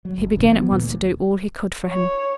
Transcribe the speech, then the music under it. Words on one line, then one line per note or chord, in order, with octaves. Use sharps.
He began at once to do all he could for him.
F#3
F#1
D#1 B2 D3
E3 F3 G3 B3
D2 A#2
C#5